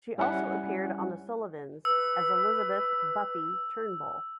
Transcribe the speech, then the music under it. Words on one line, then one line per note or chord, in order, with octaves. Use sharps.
She also appeared on The Sullivans, as Elizabeth "Buffy" Turnbull.
G3 C#4 E4 F#5
B4 E6